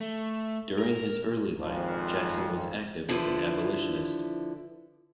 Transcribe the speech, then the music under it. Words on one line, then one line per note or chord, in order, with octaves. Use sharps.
During his early life, Jackson was active as an abolitionist.
A3
A#4
G#1 F2 F3
D3 F3 E4 B4